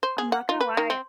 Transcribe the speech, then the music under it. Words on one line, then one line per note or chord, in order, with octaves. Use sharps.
I'm not gonna lie.
C5
G#4
F#5
F4
B4
D#3
C4